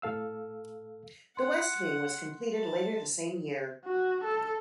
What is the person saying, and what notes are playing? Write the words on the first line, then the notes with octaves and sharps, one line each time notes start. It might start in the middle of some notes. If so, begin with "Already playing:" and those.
The West Wing was completed later the same year.
A2 A4 F5 E6
F#5 C6
A5
F#4
A4